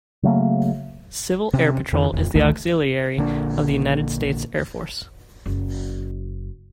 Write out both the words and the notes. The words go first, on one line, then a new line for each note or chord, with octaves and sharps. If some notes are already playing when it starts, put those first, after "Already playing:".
Civil Air Patrol is the Auxiliary of the United States Air Force.
C#3 F#3 A3 A#3
C3 C#4
F2 D#3
D#1 F2
A1 D2 D#3 A3
A#1 D3 A#3 D4
F#1